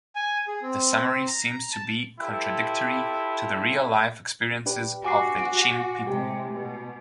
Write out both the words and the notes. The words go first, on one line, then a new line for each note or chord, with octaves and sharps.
The summary seems to be contradictory to the real-life experiences of the Chin people.
G#5
G#4
C4
A#5
A5
E4 F4 G4 A4 B4
D4 G4 B4
F#4 G#5 D6 C7
F#4 D7
A2 C3 G#3 G4
B2